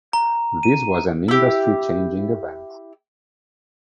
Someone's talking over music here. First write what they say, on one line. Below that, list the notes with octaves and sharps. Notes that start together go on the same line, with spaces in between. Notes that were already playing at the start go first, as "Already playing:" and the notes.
This was an industry-changing event.
A#5
D#7
E4 G4